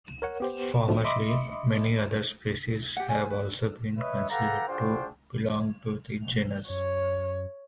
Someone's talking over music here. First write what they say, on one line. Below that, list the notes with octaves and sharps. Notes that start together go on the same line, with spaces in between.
Formerly, many other species have also been considered to belong to the genus.
A#4 C#5 F#5
B3 G4 C5
G#2 B2 D3 F3 A3
D#5 E5 B5 C6 D6 D#6
G4 F#5
A4 G#5
B4
B4 C#5 D#5 E5
G4 A4 B4 F5 F#5 A#5
D4 F4 F#4 G#4 C5 G5
F#2 C#5